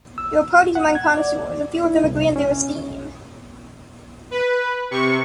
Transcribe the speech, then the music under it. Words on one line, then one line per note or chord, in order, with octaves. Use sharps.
There are parties among connoisseurs, and few of them agree in their esteem.
E6
F#5
G#6
D5
E4
C2
C#4
B4
C3 C#6